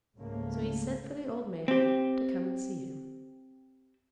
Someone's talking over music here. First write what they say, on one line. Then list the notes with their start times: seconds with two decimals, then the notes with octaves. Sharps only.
So he sent for the old man to come and see him.
0.16 C#2 G#2 C#3 A3 A#3
1.68 C4 G4